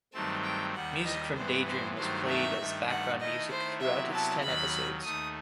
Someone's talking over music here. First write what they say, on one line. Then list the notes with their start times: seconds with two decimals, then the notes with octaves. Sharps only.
Music from "Daydream" was played as background music throughout its ten episodes.
0.14 G2 D#3 F#3 A3 C4 A5
0.44 G5
0.75 D#2 D#3 G3 F#5
1.05 D#5
1.36 G2 E3 B3 C5
1.67 C5
1.97 G2 D#3 F#3 A3 C5
2.28 E5
2.59 G2 D#3 A3
2.90 F#5
3.20 D#3 A3 E4 D#5
3.51 C5
3.81 C3 F#3 B3 E4 E5
4.12 A5
4.43 D#2 D#3 F#3 B5
5.04 D#2 D#3 A3 D#6